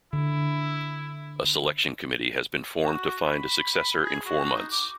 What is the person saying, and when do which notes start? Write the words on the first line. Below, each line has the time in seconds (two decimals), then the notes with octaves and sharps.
A selection committee has been formed to find a successor in four months.
0.13 D3 E4
2.84 F#4
3.25 B5
4.02 G#4
4.26 F#4
4.54 D#4
4.71 D6